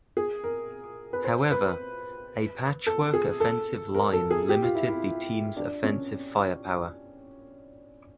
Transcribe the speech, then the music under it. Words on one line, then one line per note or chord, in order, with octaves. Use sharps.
However, a patchwork offensive line limited the team's offensive firepower.
G#4
A#4
B4
C5
B4
A4
G#4
A4
A#4
A4
G#4
G4
F4
E4
E4
D4
C#4